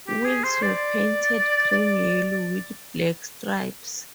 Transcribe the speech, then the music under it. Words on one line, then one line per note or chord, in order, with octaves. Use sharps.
Wheels were painted cream yellow with black stripes.
G4
G#4
C5
D5
D5